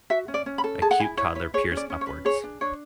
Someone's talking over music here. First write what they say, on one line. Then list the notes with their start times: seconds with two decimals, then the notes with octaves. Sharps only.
A cute toddler peers upwards.
0.10 F#4 E5
0.28 C#4
0.34 D5
0.46 C#4
0.58 B5
0.64 A4
0.82 G#4 A5
0.91 F#5
1.00 E4 G#5
1.17 E4 C#5
1.35 B4 C#5
1.54 G#4 C#5
1.71 C#4
1.77 D5
1.90 C#4
2.01 C#5
2.07 B4
2.25 G#4 C#5
2.44 D4
2.61 D4 C#5